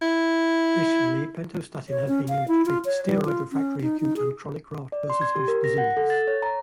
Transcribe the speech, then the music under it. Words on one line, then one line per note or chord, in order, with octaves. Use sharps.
Additionally, pentostatin has been used to treat steroid-refractory acute and chronic graft-versus-host disease.
E4
C#5
C#4
F5
E4
F4
C#5
G3
F4
C#4
D#4
D#4
G#4
D5
C6
G#6
G4
A#4
A#6
F#5
A4
A6
C#5
A#5